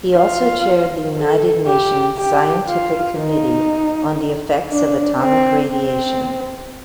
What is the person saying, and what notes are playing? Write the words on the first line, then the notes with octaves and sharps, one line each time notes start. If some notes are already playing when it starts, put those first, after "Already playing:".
He also chaired the United Nations Scientific Committee on the Effects of Atomic Radiation.
F4
A4
G4
G4
F4
D#4
D4
C4
C4